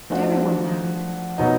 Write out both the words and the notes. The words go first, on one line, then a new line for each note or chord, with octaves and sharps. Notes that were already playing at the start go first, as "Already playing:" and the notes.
But every one married.
F3 A3 D4 F#4
B2 F#3 B3 D#4